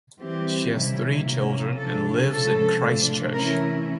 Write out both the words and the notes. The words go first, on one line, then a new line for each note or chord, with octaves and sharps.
She has three children and lives in Christchurch.
E3 G3 C4 E4 G4
D#3 G3 A#3 C#4 E4
F#3 A#3 C#4
F3 A#3 D4 A4
C#3 F3 G#3 C#4 A4
A2 F3 A3 D4
E3 A3 C#4 E4 A#4